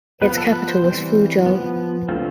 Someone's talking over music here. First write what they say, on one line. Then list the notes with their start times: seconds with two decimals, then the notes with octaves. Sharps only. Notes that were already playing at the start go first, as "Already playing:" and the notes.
Its capital was Fuzhou.
0.22 F3 B3 B4
0.37 A4
0.53 B4
0.69 C5
0.84 E3 G3 C4
1.46 F3 B3
2.08 D3 A3 C4 F4